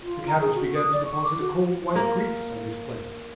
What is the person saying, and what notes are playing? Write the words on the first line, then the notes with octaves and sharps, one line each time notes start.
The cabbage began to deposit a cold white grease on his plate.
F4
A#5
G#4
F#4
D#6
D5
C#6
D6
F#4
A#3